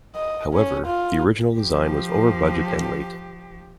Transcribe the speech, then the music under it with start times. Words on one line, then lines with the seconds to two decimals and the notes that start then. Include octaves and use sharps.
However, the original design was over budget and late.
0.15 D#5
0.54 C#4
0.86 F4
1.56 F3 G4